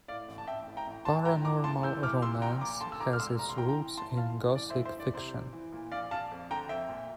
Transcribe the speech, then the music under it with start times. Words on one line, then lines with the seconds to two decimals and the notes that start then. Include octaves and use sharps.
Paranormal romance has its roots in Gothic fiction.
0.08 A2 D5 F5
0.28 A1
0.38 A5
0.47 A1 E5 G5
0.67 A2
0.77 G5 A#5
0.86 A1
1.05 A#1 A5 C6
1.25 A2 G5 A#5
1.45 E3 A#5 D6
1.64 D2 A5 C6
1.83 E3 E6 G6
2.03 C3 D6 F6
2.22 A#2 C6 E6
2.41 A#1 G5 A#5
2.61 A#2 A#5 D6
2.81 D3 A5 C6
2.92 E6
3.00 D3 A#5 D6
3.13 F6
3.20 E1 C6 E6
3.39 C3 A#5
3.49 C6
3.58 E3 G5 A#5
3.68 G5 A#5
3.78 E3
3.97 A2 A5 C6
4.16 E3 F5 A5
4.37 A1
4.55 E3 D5
4.70 C5 E5
4.75 G1
4.85 C5 E5
4.95 E3 D5
5.14 C3 C5
5.33 E3
5.53 E3
5.72 A#2
5.91 A#1 D5 F5
6.11 A#1 F5 A5
6.31 F2
6.51 D3 G5 A#5
6.69 F2 E5 G5
6.89 A#2